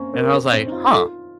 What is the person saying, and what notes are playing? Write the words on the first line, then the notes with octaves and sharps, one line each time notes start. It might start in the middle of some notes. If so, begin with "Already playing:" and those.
and I was like, "Huh,
Already playing: A#3 C4 C#4
C4 A#4
C4
C4
D#4
F4
D#4
F4 A4